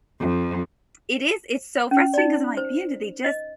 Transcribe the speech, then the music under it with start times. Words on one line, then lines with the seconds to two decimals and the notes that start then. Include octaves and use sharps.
it is, it's so frustrating, 'cause I'm like, "Man, did they just,
0.20 F2
1.91 C#4
2.14 D#4 D5
2.57 C5
3.24 D#5